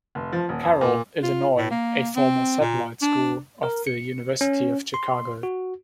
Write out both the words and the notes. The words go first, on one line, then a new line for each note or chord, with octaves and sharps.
Carroll, Illinois, a former satellite school of the University of Chicago.
F1
F3
D#1
F2
A#2
F4
A2
A#3
C4
A#2
D4
A#4
C#7
C#4
C6
F#4